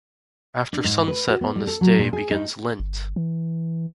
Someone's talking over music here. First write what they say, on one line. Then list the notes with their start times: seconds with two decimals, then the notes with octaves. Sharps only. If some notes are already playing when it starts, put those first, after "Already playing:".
After sunset on this day begins Lent.
0.73 D4
0.84 G#2
1.08 B4
1.27 F#4
1.41 B3
1.56 G3
1.67 A4
1.81 F#3
1.99 A#2
2.13 G#4
2.31 D#4
2.80 G1
3.16 E3